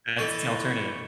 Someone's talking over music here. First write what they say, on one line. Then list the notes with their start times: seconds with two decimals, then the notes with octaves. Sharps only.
That's alternative.
0.19 E3 A4 D#5 A5 C#6